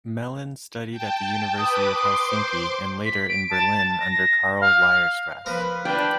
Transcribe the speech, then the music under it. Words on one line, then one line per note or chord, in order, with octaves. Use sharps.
Mellin studied at the University of Helsinki and later in Berlin under Karl Weierstrass.
G5 A5
B4 D6 D#6
C6 D6
C5
B6
D7
A5
A#6
F5
F3 A#4 B4
D4 B4 G5